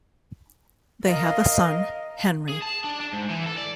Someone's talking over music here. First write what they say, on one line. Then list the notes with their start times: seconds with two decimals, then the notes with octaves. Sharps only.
They have a son, Henry.
1.06 A#4 D#5 F5
2.50 G#4
2.62 A5
2.85 D4
3.01 D4
3.13 G#2
3.30 E3
3.46 A4
3.58 D5